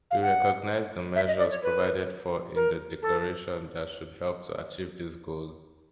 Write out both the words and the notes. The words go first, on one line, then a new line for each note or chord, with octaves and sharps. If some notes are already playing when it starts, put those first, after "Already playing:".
We recognize the measures provided for in the Declaration that should help to achieve this goal.
F5
F#5
E5
D#5
D5
C#5
B4
A#4
A4